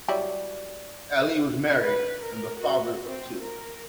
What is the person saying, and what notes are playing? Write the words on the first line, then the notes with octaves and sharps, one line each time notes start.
Ali was married and the father of two.
F#3 G3 E4
B4
A#4
F#4
C4
A#4